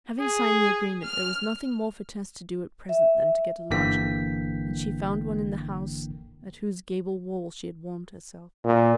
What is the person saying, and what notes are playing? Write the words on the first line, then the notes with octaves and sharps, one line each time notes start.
Having signed the agreement, there was nothing more for Tess to do at present than to get a lodging, and she found one in the house at whose gable-wall she had warmed herself.
G#4
F6
E5
G1 D3 E3 A#3 G5 B6
A#2